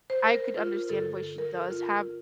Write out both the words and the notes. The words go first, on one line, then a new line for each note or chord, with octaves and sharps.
I could understand why she does have
C5
A#4
F4
G2 D3 A4
A#4
A4
F4